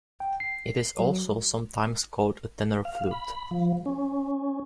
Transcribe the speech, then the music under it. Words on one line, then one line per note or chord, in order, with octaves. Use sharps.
It is also sometimes called a tenor flute.
G5
C7
F#3
F5
B5
F3
C#4